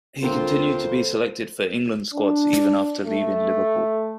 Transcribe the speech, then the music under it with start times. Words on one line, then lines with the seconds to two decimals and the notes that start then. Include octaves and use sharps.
He continued to be selected for England squads even after leaving Liverpool.
0.22 D2 A#3 C4 F4 A4 C5
2.14 D4
3.06 A3